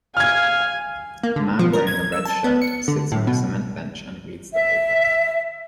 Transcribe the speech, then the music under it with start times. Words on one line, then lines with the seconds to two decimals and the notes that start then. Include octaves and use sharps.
A man wearing a red shirt sits on a cement bench and reads the paper.
0.17 F5 G#5 F6 G#6
1.23 A#3
1.36 D3
1.59 F3
1.73 A#4
1.87 G#6
2.12 E6
2.25 A5
2.44 B3
2.62 C#7
2.88 D3
3.12 A2
3.27 B2
4.52 E5